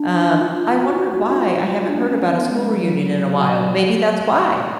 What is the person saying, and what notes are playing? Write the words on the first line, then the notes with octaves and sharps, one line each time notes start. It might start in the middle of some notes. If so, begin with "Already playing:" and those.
um, I wondered why I haven't heard about a school reunion in a while. Maybe that's why.
Already playing: D4
F4
F#4
D4
F4
F#4
F4
D4
C#4
B3
G#3
F#3